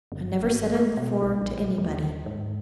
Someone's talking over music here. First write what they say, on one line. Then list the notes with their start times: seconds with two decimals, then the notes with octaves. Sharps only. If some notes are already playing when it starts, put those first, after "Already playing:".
I never said it before--to anybody.
0.12 G1
0.43 G#1
0.75 A3
0.97 B2
1.21 B1
1.41 A#1
1.78 D#2
2.26 G#2